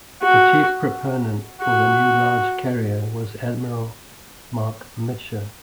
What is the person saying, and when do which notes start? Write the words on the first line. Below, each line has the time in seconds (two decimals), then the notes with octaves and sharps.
The chief proponent for the new large carrier was Admiral Marc Mitscher.
0.24 F#4
1.62 F#4